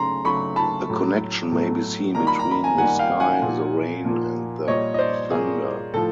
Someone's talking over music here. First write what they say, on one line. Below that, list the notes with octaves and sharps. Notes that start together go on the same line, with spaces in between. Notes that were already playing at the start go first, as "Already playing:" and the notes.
A connection may be seen between the sky, the rain, and the thunder.
Already playing: C#3 F#3 A3 A#5 C6
C#3 F#3 A3 B5 C#6
A5 B5
A2 F#3 A3
A2 F#3 A3
D#3 G3 A#3 A#5
B5
A#5
B5
G#5 A#5
D#3 G3 A#3 F#5 G#5
F5 G5
F#5 G#5
A#2 F3 A#3
A#2 F3 A#3
A#2 G3 A#3 C#5 D#5
D#5
C5 D5
A#2 G3 A#3 G#4
A2 F3 A4